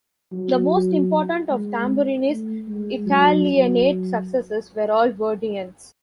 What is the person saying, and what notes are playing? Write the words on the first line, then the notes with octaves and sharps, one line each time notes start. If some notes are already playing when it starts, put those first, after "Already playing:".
The most important of Tamburini's Italianate successors were all Verdians.
F#3
G#3
A3
G#3
F#3
F#3